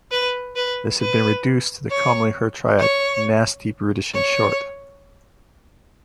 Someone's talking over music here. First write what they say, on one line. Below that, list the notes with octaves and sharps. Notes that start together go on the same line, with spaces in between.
This has been reduced to the commonly heard triad "nasty, brutish and short".
B4
B4
B4
C#5
C#5
C#5